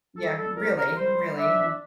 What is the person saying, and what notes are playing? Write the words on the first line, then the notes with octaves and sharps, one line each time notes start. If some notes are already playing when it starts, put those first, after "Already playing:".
Yeah, really really, and
G3 A4
A4
C2 A#4
A#4
G3 C5
D4 E5